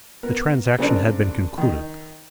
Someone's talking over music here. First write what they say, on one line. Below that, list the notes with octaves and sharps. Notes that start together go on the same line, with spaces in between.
The transaction had been concluded.
B3 A#4
C#3 C4 D4 A#4 D5
D#3 D#4